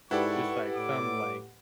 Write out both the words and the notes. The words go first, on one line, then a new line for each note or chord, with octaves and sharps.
just, like, some, like,
G#2 E4 G4 A4 B4 D5 F#5 C#6
A2 D6